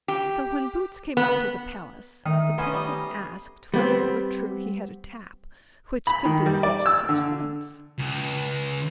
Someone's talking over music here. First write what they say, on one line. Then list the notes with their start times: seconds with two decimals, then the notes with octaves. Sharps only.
So when Boots came up to the palace, the Princess asked whether it were true he had a tap which could do such and such things?
0.08 G4
1.17 B3
2.26 D#3 A3 D#4
2.58 B3 C#4 C5 D#5
2.74 G3
3.74 G3 B3 C4
6.07 B5
6.25 D#3
6.46 G3
6.63 D5
6.86 E6
7.09 D3
7.99 C#2